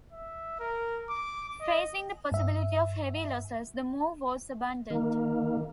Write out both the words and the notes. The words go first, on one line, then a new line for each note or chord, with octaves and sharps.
Facing the possibility of heavy losses, the move was abandoned.
E5
A#4
D6
D#5
G2 E5
D#3 A#3